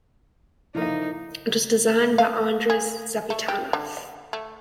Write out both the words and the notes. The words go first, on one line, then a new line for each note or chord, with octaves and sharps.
It was designed by Andreas Zapatinas.
F3 A#3 D#4 E4 A#4
F5
G#4
A3
G4
D3
A3